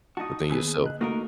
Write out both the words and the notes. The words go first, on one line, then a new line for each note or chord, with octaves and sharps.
within yourself.
D#4 F#4 A5 D#6
D#2 B3 G#4 D#6 E6
C#3 D#5 F#6
A3 A#3 D#4 F#4 A#4 C#6